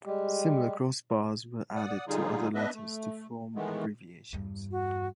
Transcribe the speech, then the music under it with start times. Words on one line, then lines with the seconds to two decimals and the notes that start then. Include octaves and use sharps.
Similar crossbars were added to other letters to form abbreviations.
0.05 G3 G#3 G4
1.76 D5 F#5 D#6
2.07 D3 G3 D#4 F4 G#4
2.55 B3 D4 B4 D#5 E5
2.74 A3
3.56 D#3 E3 G#3 A3 B3
4.33 E2 G2
4.71 F#4